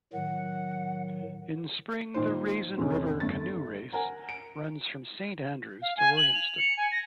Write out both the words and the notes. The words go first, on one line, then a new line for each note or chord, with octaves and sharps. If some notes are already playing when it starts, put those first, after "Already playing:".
In spring, the "Raisin River Canoe Race" runs from Saint Andrews to Williamstown.
A2 D#3 F#3 F#5
A#2 D#3 C5
E2 A2 C3 D#3 C#4
G1 A3 A6
A#4 F#5 G#5 A#5
D7
F5
G#5
F#7
F7
C#7
G#5
A#6